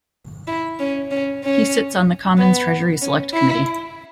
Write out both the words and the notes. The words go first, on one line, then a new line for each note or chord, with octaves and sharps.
He sits on the Commons Treasury Select Committee.
E4
C#4
C#4
C#4
B3
C#4
E4